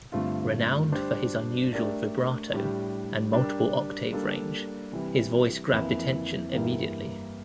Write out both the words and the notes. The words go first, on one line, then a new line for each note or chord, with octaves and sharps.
Renowned for his unusual vibrato and multiple octave range, his voice grabbed attention immediately.
G2 D3 A3 C4 F4
G3 D4 G4 C5
A3 D4 G4 A#4 D5
A2 G3 D4 G4
G3 D4 G4 A#4 D5
G3 A#3 D4 A4
C3 E3 G3
F2 E3 A#3 E4
G2 E3 A#3 E4 G4